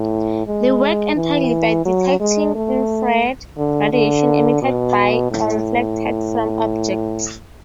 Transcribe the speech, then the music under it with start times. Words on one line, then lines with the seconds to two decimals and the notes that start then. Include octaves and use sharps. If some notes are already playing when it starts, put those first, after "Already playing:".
They work entirely by detecting infrared radiation emitted by or reflected from objects.
Already playing: A2
0.47 G#3
1.16 E3
1.85 F#3
2.20 G#3
2.55 A3
3.58 D3
3.93 D3
4.62 B2
5.31 A2